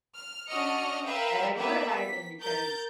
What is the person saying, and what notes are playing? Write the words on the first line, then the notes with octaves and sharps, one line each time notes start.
and I do admire them because
F6
C#4 D4 F#4 D#5 F6 C#7
A#4 B4 E5 F5 G5
A#3 B3 G4 B4 E5
B6
A#4 G6 A6